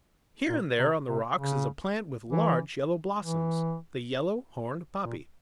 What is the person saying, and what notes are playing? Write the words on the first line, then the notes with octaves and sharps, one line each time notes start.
Here and there on the rocks is a plant with large yellow blossoms--the Yellow Horned Poppy.
A#2
C3
C3
C#3
E3
E3
A#2